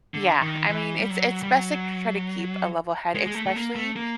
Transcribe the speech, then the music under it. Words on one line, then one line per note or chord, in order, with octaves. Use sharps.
Yeah, I mean, it's it's bes a chr try to keep a level head, especially
D3
D#3
E3
G3
F#3
G3
F#3
G#3
G#3
A3
A3
A#3
A3
A#3